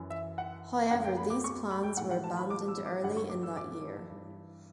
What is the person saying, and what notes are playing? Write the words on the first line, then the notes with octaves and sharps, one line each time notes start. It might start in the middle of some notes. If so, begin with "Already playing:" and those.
However, these plans were abandoned early in that year.
Already playing: F#2 E3
E5
F#5
F#2 D3 F#5
G5
B5
D6
C#6
B5
G5
A2 E3 F#5
F#5
A5
B5
D6
E6
D6
G2 D3 F#5
C#6
D6
E6
D6
G2 E3